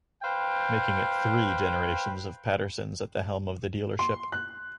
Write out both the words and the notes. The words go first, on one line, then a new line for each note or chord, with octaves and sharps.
Making it three generations of Pattersons at the helm of the dealership.
B4 C5 F5 G5
C6
F#6